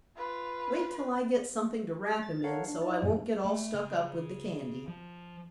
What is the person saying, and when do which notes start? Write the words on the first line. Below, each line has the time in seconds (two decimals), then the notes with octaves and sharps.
"Wait till I get something to wrap him in so I won't get all stuck up with the candy."
0.16 F4 B4
2.23 A6
2.44 A4 A#4 C#5 F5 F#5
2.68 D4
2.82 D#4 E4 D5
3.02 F#2 A#2 F3 G#3
3.45 A3
3.74 C#3
4.88 F3